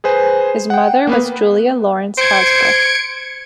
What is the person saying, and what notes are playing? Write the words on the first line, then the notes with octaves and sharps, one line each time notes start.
His mother was Julia Lawrence Hasbrouck.
G#4 B4 C5 G#5
F#5 G5
A#3 B3 B4
C5 G#6 C#7 D7